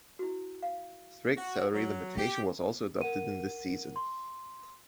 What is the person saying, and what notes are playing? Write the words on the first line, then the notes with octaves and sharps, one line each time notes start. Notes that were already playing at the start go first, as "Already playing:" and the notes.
Strict salary limitation was also adopted in this season.
E4 F#4
F5
F#4
F#3
G4
A#4 F#5 D#7
C6